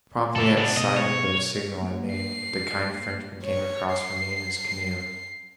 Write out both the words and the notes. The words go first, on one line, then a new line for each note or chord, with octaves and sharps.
Promptly at sight of the signal I made, the kind Frenchman came across for me in his canoe.
A2 C#3 A3 E4 A4
B3 D4
B2 D#5
C#5
A#3
C7
C#5
C7